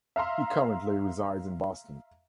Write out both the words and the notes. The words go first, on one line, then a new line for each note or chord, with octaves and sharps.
He currently resides in Boston.
E5 F5 A#5 C6